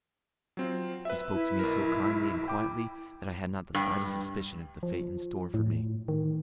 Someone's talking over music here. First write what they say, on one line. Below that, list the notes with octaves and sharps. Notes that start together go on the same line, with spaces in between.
He spoke to me so kindly and quietly that I had not the slightest suspicion of the fate in store for me.
F#3 C4 F4
B4 E5
E4
B1 A#4
G5 D6
G2
F3
A2
D#3